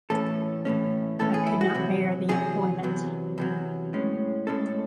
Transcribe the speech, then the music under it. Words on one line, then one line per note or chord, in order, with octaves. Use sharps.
I could not bear the employment.
A2 E3 A3 C#4 A4
A2 E3 A3 C#4
A2 E3 A3 C#4 A4
G#4
E4
F#4
E2 C3 F#3
E2 C3 F#3 G#4
E2 C3 F#3
E2 C3 F#3
A2 G#3 C#4
A2 G#3 C#4 A4